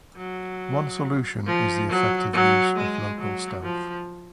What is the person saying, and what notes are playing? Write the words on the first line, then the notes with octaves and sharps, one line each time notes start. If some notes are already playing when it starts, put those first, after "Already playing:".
One solution is the effective use of local staff.
F#3
F3
F#3
F#3
G#3
F#3
F3